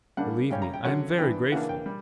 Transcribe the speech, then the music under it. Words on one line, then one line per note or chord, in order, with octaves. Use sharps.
Believe me, I am very grateful.
C#3 G3 A#3 D4 F#5
C#3 G3 C#4 G5
A#5
G5
D3 F#3 C#4 F#5
E3 B3 D4 G5
C#3 E3 A#3 D4 F#5
G5
G3